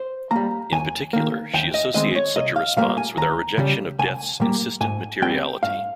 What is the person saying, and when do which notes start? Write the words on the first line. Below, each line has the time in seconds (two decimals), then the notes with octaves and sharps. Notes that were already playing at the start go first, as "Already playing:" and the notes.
In particular, she associates such a response with our rejection of death's insistent materiality.
Already playing: C5
0.31 G3 A#3 A#5
0.72 D#2 G#5
1.13 D#3 A#3
1.54 D#2 G5
1.74 D#5
1.94 D#3 G#3 C4 D#5
2.15 C#5
2.36 C2 D#5
2.56 F5
2.77 A#2 G3 A#3 F5
2.97 G#5
3.17 D#2 A#5
3.58 C#3 G3
3.99 C2 G#5
4.40 A#2 G3 A#3
4.81 G#2 G#5
5.22 G3 C4 G5
5.63 G2 F5